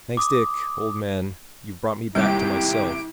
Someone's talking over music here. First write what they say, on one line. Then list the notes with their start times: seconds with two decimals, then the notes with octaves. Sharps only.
"Thanks, Dick, old man; you've brought me back to myself."
0.17 D6 D#6
2.15 D#2 G#2 C3 G3 E4 G4 D7